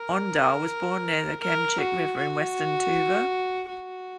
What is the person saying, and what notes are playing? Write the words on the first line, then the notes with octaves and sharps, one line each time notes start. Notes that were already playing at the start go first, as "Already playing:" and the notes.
Ondar was born near the Khemchik River in western Tuva.
Already playing: A#4
A#4
F#4
F#4
F#4